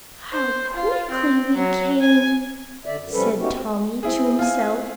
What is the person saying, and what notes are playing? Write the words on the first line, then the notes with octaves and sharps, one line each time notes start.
"How quickly we came," said Tommy to himself.
C5
F4
C4
F#3
G#5
D3 D5 E5
F#2
C3 F3 G3 C#4 A4 B4
A3 B3 C#4 D#4 F#4 G4
C4
C4 E4 G#4
F4 G#5